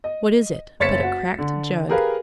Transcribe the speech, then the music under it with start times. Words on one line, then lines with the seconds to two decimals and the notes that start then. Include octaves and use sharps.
What is it but a cracked jug?
0.04 D#5
0.80 F#1 C#5 A6 B6 C#7 E7
1.03 F#4
1.38 D3
1.89 G4 G#4 A#4 B4 F5